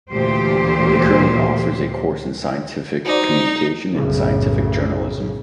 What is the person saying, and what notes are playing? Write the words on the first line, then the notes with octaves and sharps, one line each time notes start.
It currently offers a course in Scientific Communication and Scientific journalism.
D2 A#2 E3 G4 C5
D#4 F#4 C5 D5
B1 F#2 A2 C#3